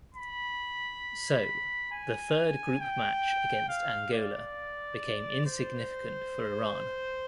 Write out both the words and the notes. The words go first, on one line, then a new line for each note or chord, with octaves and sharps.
So, the third group match against Angola became insignificant for Iran.
B5
G#5
G5
F5
D5
C5